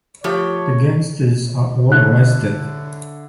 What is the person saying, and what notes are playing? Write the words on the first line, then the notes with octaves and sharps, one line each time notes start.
The gangsters are all arrested.
F3 A3 F4 G4 C#5
D3 E4 C#5 F#6